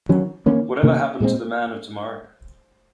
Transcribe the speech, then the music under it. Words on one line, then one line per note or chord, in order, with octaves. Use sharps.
Whatever Happened to the Man of Tomorrow?
D#3 F#3 C#4
D#3 A#3 C#4
C3 D#3 A#3 C#4
A#2 G#3 C4